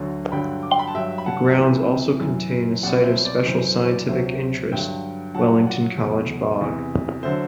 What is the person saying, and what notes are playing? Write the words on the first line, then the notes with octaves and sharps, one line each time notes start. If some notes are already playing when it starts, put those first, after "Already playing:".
The grounds also contain a Site of Special Scientific Interest, Wellington College Bog.
Already playing: D2 D3 F#3 C6
G2 D3 F#3 G5 B5
D6
C6
B5
A5
G2 F#3 E5 G5
B5
F#5 A5
C2 C3 E3
F#2 E3
C2 B2 F#3 D5 F#5
C5 E5
D5
F#2 E3 C5
C5
C5
D5
D2 C3 F#3 C5 E5
G2 D3 F#3 E5 G5
G2 F#3 F#5 A5
D5 F#5
E2 B2 F#3
E2 C3 E3
D3 F#3 C5 E5